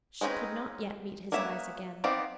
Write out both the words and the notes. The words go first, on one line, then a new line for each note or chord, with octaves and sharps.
She could not yet meet his eyes again.
G#3 C4 C#4 D#4 B4
A#3 B3 C#4 E5
B3 C4 D#4 D5 F5